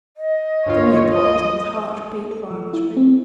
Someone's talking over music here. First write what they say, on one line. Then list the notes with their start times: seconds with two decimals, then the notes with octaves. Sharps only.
The Neapolitan's heart beat violently.
0.17 D#5
0.66 D2 G2 F4 C#5
1.11 D#5
2.31 A4
2.51 F3
2.73 E4
2.97 C4